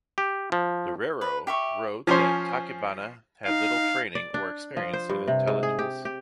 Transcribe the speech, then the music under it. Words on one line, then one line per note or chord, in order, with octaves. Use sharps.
Loureiro wrote that "Tachibana had little training or experience in intelligence".
G4
F3
B4
G4 E5 C#6
F3 C#4 C5 G#5 D6
D#4 F5
D5
D4
F3
C5
G2
C3
G#2
G#4
G4
G4